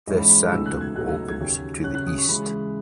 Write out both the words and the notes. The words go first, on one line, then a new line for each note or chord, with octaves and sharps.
This sanctum opens to the east.
G#2 E3 G#3 C#4 D#5
B5
B5
B5
C#2 B2 F#3 A3 D#4 E6
F#6
G#6
C#2 B2 F#3 A3 D#4 F#6
E6
G#6
D#2 C#3 F#3
C#3 F#3 C#4 F#6
F#6
D#6
C#6
C#3 E3 G#3 B5